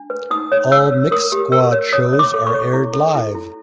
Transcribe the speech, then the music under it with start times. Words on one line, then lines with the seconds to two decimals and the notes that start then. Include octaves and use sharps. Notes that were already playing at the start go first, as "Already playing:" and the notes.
All Mix Squad shows are aired live.
Already playing: D4
0.10 B4
0.31 D#4 D#6
0.52 C#5
0.71 C#5 E6
0.91 C#5
1.11 A#4 D#6
1.32 G4
1.52 A#4 E6
1.72 C#5
1.93 C#5 D#6
2.13 C#5
2.19 D6
2.34 A4
2.47 C#6
2.54 C#5
2.73 E4
2.93 A4
3.15 E4
3.35 E4